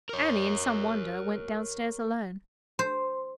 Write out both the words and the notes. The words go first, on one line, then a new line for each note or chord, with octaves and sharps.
Annie, in some wonder, went downstairs alone.
A#4 C#5
C5